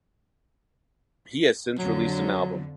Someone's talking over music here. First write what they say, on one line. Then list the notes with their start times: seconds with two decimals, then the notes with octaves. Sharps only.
He has since released an album.
1.79 F2 D3 F#3